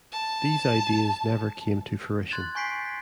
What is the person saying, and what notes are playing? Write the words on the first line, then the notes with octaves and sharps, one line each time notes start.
These ideas never came to fruition.
A5
C6 F#6 G#6 A6 F#7
G#5 C#6 G6 B6 C7 D7